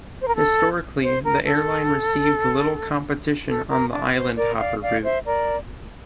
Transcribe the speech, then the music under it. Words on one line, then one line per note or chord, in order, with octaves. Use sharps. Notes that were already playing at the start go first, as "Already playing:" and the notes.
Historically the airline received little competition on the "island-hopper" route.
C5
A#4
A4
C5
A#4
A4
A4
A#4
D4
C5
A#4 D5
D5 F5
D5 F5
C5 E5
A#4 D5